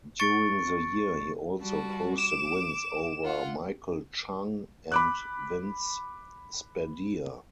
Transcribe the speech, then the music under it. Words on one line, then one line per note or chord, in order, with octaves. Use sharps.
During the year he also posted wins over Michael Chang and Vince Spadea.
C#6 A6 C#7 D7
G3 F#4 A5
D6 E7
F4 F#5
B5 D6 F#6